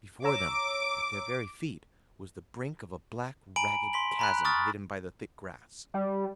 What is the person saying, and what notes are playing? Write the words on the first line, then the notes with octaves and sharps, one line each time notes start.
Before them, at their very feet, was the brink of a black ragged chasm hidden by the thick grass.
C#5 A#5 D6 E6
G#5 A#5 B5 D7 F#7
C6 B6 F#7
A#5 B5 F#6
C#6 D#6 F6 A6
G3